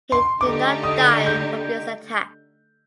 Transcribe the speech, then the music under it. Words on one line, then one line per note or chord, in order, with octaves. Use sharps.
He did not die from this attack.
C6
D3 A3 D#4 G4 D6
D#6
G6